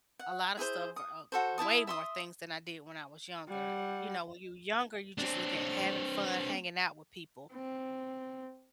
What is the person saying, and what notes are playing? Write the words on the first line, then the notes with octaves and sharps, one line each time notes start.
a lot of stuff, uh, way more things than I did when I was younger. You know, when you younger, you just look at having fun, hanging out with people,
F#5
E4 G#4 B4 C5
D#6
F#4 A4 C5
E4 C#5 A5 D#6
E5 C6 D#6
G3 F#5
C4 D4
C4